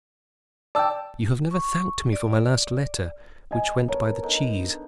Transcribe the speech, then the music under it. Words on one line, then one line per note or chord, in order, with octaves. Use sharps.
You have never thanked me for my last letter, which went by the cheese.
D5 G5 A5 E6
C#6
D5
D#5 G#5
B3 A#4 C#5 A5
D3 D#4 A4